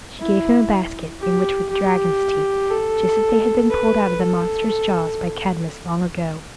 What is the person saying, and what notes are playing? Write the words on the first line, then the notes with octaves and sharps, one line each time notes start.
She gave him a basket, in which were the dragon's teeth, just as they had been pulled out of the monster's jaws by Cadmus, long ago.
E4
G4
G4
A4
B4
A4